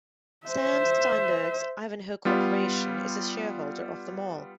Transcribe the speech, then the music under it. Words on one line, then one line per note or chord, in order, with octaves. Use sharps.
Sam Steinberg's Ivanhoe Corporation is a shareholder of the mall.
C5 E5
G3 B3 F4